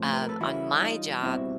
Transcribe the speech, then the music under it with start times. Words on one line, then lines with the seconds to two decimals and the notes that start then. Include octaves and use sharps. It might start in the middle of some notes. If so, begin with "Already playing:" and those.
Um, on my job
Already playing: A2 F3 A3 C4
0.13 B4
0.22 A#4
0.29 A4 B4
0.40 E3 G3 A#3 C#4 E4 F#4
0.81 D#4 F4
1.23 B2 G3 C4 E4 F#4